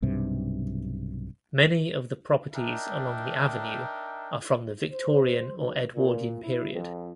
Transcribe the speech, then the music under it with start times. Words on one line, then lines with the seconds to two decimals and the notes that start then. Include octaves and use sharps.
Many of the properties along the Avenue are from the Victorian or Edwardian period.
0.02 B1 G2 C3
2.54 D4 D#4 A#4 E5 G5
4.92 C5
5.57 B1
5.95 A#2
6.44 E4
6.73 F2